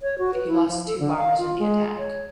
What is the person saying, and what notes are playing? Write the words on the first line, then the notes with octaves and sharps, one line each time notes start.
He lost two bombers in the attack.
C#5
F#4
B4
E4
F3
A4
D3
F5
F4
G#3
C#5